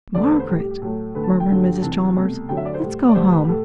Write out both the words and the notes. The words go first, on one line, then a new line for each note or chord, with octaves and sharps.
"Margaret," murmured Mrs. Chalmers, "let's go home."
E2 D3 A3 D5
C5
B4
C5
A2 G3
G4
G4
A2 F#3 A3 A4
D2 D3 A3 B4
A5
G5
G2 D3 F#3 A3
C2 C3 E3 A5
C2 B2 A3
D2 D3 F#3 G5
E5
D5
C5
A2 G3
D5
G2 D3 A3 C5
B4
G4
A2 A4